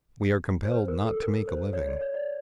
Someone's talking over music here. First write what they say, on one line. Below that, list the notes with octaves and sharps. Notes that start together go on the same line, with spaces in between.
We are compelled not to make a living.
C5
B4
A#4
A4
A#4
C5
C#5
D5
C#5
D5